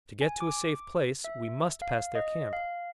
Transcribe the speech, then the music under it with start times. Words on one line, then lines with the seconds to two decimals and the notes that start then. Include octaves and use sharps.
To get to a safe place we must pass their camp.
0.21 G#5
0.41 D6
1.24 E5
1.82 F5
2.15 D#5
2.53 F5